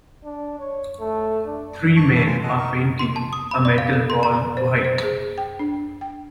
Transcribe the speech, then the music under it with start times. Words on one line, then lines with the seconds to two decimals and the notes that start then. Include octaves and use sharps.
Three men are painting a metal wall white.
0.24 D4
0.59 C#5
1.00 A3
1.46 D4
1.96 A5 C#6
2.15 E4 F#4 A4 D5
2.27 F4 G#5
2.43 G#3 A4 D#5 F#5
2.58 D#4 A#4 C#6
2.99 C6
3.16 A5
3.33 D#6
3.51 B5
3.65 D5
3.78 F5
3.93 A4
4.10 C6
4.23 A#5
4.57 C5
4.84 C5
5.03 G#4
5.38 G5
5.59 D4
6.01 G5